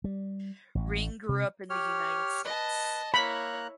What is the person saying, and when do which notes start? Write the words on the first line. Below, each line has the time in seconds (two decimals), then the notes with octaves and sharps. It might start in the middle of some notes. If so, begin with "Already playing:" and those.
Ring grew up in the United States.
0.04 G3
0.75 A1
1.29 C3
1.70 G4 C#5 F6
2.45 B4 D#5 A5
3.14 A#3 E4 C#5 A#5 B5 F#6